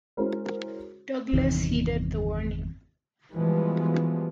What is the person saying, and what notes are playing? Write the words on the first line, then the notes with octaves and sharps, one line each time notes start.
Douglas heeded the warning.
G#3 C#4 E4 F#4 A#4 C5
G1 E2 C3 D#3
B2 E3 F3 G3 G#3 B3